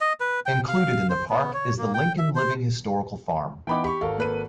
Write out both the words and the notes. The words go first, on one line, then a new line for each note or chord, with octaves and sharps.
Included in the park is the Lincoln Living Historical Farm.
D#5
B4
G5
F5
C5
B3
C#5
A#3
G5
E5
C5
E3 B3 D#4 G5 B5 D6
G4 B5 C#6
G#1 A4 A#4 F5
A#3 B4 D#7